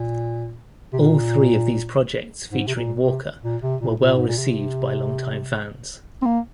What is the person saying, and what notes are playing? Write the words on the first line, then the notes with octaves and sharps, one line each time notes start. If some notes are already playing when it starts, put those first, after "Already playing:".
All three of these projects featuring Walker were well received by longtime fans.
Already playing: A#2
C3
A#2
G#2
C3
A#2
C3
A#2
C3
A#2
A#2
G#2
A#2
C3
C4
A#3